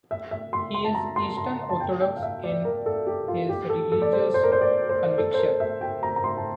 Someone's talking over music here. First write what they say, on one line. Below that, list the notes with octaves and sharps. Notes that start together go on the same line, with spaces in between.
He is Eastern Orthodox in his religious conviction.
E5
E5
C6
C6
A5
A#5
C6
A#5
A5
G5
G5
F5
E5
D5
A#4
A4
G4
F4
G4
A4
A4
D5
C5
C5
A#4
C5
D5
C5
A4
C5
A#4
E5
G5
A#5
A#5
C6
A5